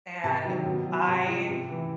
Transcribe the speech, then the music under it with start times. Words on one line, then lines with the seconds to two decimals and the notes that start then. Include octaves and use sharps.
and I
0.24 C3 A5
0.45 D#3 F#3
0.65 B2
0.86 F#3
1.07 C3
1.28 F3
1.49 C3
1.70 E3